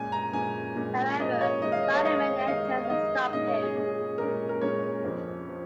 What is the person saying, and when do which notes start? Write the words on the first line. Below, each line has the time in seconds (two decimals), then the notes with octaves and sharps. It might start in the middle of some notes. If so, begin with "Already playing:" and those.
However, Spider-Man enters and stops him.
Already playing: A#2 G#3 C#4 G#5
0.12 A#5
0.33 A#2 G#3 C#4 G#5
0.76 A#2 G#3 C#4
1.19 A#2 G#3 C#4 D#5
1.41 C#5
1.62 D#3 G#3 D#4 D#5
1.72 F5
1.83 D#5
1.93 C#5
2.04 D#3 G#3 D#4 D#5
2.40 D#5
2.47 D#3 G#3 D#4 F5
2.85 F5
2.90 D#3 G#3 D#4 D#5
3.33 A#2 G#3 C#4 D#5
3.48 C#5
3.62 G#4
3.76 A#2 G#3 C#4 G#4
4.18 A#2 G#3 C#4 A#4
4.49 A#4
4.61 A#2 G#3 C#4 C#5
5.04 F2 F3 C#4
5.49 F3